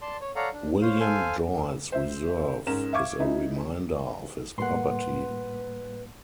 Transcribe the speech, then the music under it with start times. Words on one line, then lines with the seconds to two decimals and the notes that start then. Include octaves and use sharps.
William Joyce Reserve is a reminder of his property.
0.02 D5 A5 C6
0.21 C#5
0.36 A4 C#5 D5 F5 F#5 A#5
0.53 D4
0.81 C5 C#5 F5
1.00 A4 C5 F5 G#5
1.92 C5 E5
2.67 G#2 C#4 A#4 E7
2.93 E5 F5 C#6 D6 G#6
3.19 C#3 D#4 E4
4.58 A2 G3 A#3 B4 F#5 C6